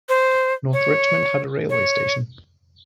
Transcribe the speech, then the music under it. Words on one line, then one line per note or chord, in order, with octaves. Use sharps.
North Richmond had a railway station.
C5
C#5
C#5